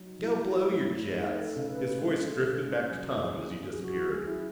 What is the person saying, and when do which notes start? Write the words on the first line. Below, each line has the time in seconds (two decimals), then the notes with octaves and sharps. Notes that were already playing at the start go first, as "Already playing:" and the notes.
"Go blow your jets," his voice drifted back to Tom as he disappeared.
Already playing: F#3 D#4
0.19 F#3 E4
0.65 A3
1.10 D#4 G#4
1.28 B4
1.40 A4
1.56 C#3
1.71 B4
2.01 G#3 A4
2.31 A4
2.46 C#3
2.53 A4
2.62 G#4
2.91 F#3
3.36 E4
3.71 G#4
3.82 F#3 F#4
4.12 G#4
4.27 E4